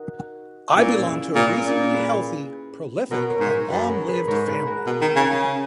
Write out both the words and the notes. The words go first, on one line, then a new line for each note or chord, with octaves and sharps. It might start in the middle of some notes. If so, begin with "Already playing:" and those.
I belong to a reasonably healthy, prolific, and long-lived family.
Already playing: D#4 F#4 A#4
A#2 C#4 E4
E4 G#4
A#2 C#4 E4
A#2
G#4 B4
B2 A#4 C#5
A#4 C#5
G#2
A#4 C#5
F#2 G#4 B4
A#4 C#5
G#4 B4
G#2 A#4 C#5
G#4 B4
F#4 A#4
B2
D#3
C#3
C#3